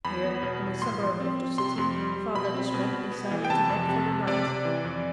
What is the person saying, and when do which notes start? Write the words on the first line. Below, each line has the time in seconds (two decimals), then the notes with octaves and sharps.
Here, in a suburb of the city, Father De Smet decided to dock for the night.
0.05 E2 B5
0.24 B3
0.43 B2
0.62 E2
0.82 A2 C6
1.01 F3
1.20 C4
1.39 C4
1.58 C3 C6
1.78 F2
1.96 G3
2.16 G3
2.35 B2 B5
2.54 C4
2.74 B2
2.93 B2
3.12 B3
3.31 E3
3.45 G5
3.50 C3 A5
3.69 F2
3.89 C3
4.08 C3
4.27 C3 D5
4.47 C3
4.65 E3
4.84 F2